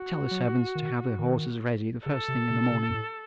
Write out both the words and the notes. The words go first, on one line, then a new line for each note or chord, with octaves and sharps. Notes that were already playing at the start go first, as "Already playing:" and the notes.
Tell the servants to have the horses ready the first thing in the morning.
Already playing: F#4
F#3
D#3
D#3
C#3 A4
C3
C3
C3
F#2
A2